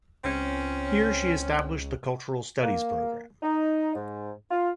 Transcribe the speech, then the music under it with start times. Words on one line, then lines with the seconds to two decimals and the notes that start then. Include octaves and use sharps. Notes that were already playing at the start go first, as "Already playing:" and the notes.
Here she established the Cultural Studies program.
0.25 C#2 C4 C#4
2.63 A#3
3.43 D#4
3.95 G#2
4.51 F4